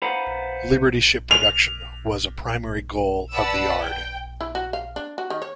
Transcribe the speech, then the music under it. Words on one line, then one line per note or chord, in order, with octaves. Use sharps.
Liberty ship production was a primary goal of the yard.
B4 C5 F5 F#5 A#5 B5
F7
B4 D5 F#5 A5 B5 E6
G5
E4
F#4
F5
D4
F#4
D#3
C#5